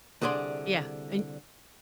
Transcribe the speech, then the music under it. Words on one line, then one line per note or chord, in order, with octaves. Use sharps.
Yeah, and
C2 D3 G#4 D5 C6